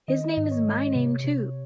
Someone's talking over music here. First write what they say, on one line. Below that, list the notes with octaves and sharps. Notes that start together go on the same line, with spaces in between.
His name is my name, too!
D#3 D#5
G#2 D#5
C#5
G#3
C3
C3